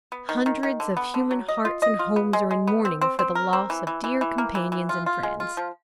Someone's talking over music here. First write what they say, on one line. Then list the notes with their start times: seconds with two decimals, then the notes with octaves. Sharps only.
Hundreds of human hearts and homes are in mourning for the loss of dear companions and friends.
0.12 B3
0.29 D#3
0.46 D#3
0.63 D#3
0.80 D3
0.97 B3
1.14 D3
1.31 F#3
1.48 D#5
1.65 F4
1.82 D#5
1.99 F4
2.16 B3
2.33 G#3
2.51 G#3
2.67 B3
2.85 C4
3.01 C4
3.19 C4
3.35 A#4
3.53 C4
3.70 E3
3.87 E3
4.04 E3
4.21 E3
4.38 A#3
4.55 E3
4.72 E3
4.89 F4
5.06 F4
5.23 G#3
5.40 F4
5.57 F3